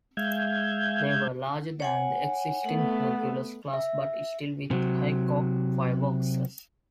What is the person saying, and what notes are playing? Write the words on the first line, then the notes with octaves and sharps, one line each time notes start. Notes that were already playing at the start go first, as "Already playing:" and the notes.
They were larger than the existing Hercules Class but still with haycock fireboxes.
G#3 E5 F5 G6 G#6
C#5 F#5 G#5
A3 B3 F#5
E5
C3 F#3